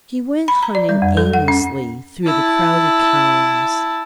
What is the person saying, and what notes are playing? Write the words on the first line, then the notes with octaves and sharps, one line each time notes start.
She went hunting aimlessly through the crowded columns.
B5
A#5
D5
G3
F2
A4
F#5
C#4
E4 A5